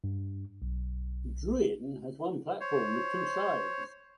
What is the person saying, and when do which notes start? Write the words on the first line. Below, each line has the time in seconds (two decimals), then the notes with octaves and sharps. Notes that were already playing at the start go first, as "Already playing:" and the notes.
Drouin has one platform with two sides.
0.04 G2
0.62 B1
2.61 C5 C#5